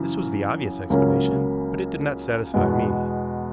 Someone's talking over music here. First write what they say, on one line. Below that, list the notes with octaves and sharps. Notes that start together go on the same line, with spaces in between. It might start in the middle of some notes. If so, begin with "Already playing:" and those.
This was the obvious explanation, but it did not satisfy me.
Already playing: F#2 C#3 E3
C#2 C#3 F#3 A#3 C#4
E2 B2 G#3 B3